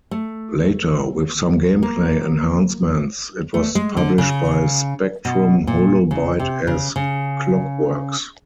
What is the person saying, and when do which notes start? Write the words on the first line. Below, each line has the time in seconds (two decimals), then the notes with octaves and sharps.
Later, with some game play enhancements, it was published by Spectrum HoloByte as "Clockwerx".
0.11 A3
1.83 A#3
3.54 A3
3.75 G#3
3.97 D3
4.18 C#3
5.25 B2
5.67 A#2
6.11 C#3
6.39 C3
6.67 C#3
6.96 C#3